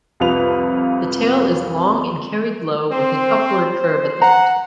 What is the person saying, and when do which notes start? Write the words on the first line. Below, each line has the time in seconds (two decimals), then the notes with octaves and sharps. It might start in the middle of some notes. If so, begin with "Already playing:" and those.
The tail is long and carried low with an upward curve at the end.
0.20 C2 F2 F4 B4 F7
2.92 C4 C5
4.22 F#5 A#5